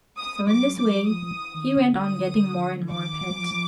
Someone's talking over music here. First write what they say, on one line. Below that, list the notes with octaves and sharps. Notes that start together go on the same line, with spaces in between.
So in this way he went on getting more and more pets.
D#6
F#3 D6
F#3 D6
F3 D#6
F3
E3
D#3
D3
D#6
D#3 D6
F3
F#3
F3
F3